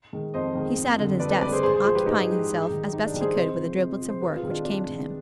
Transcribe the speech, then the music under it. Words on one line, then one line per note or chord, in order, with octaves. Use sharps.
He sat at his desk, occupying himself as best he could with the driblets of work which came to him.
D#3 G#3
F2 C5 D#5
D#3 G#3
F2
D3 G3
F2 B4 D5
B4 D5
D3 G3 B4 D5
G#4 C5
G#2 G#4 C5
G#4 C5
F3 G#3 G#4 C5
G4 B4
G#2 D#4 G4
F3 G#3
G#2
D#3 G3
G#2 D#4
D4
D#3 G3
G#4 C5
C3 C5 D#5
F3 G#3
C3
F3 G#3
C5
C3 G4 B4
F4 G#4
D#3 G#3
D4 F4
C3 D4 F4
D#3 G#3